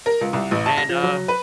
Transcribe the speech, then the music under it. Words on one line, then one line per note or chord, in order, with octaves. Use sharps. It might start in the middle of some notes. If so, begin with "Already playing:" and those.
And, uh
A#4
C#2
C2
A1
A5
A#6
F3
F#3
B4